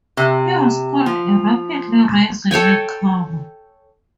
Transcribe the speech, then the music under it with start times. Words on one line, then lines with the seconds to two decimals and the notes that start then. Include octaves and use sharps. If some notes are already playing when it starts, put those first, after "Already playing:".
He was called a "rapidly rising newcomer".
0.17 C3
1.06 F3
2.51 A4 C#5 G5 G#5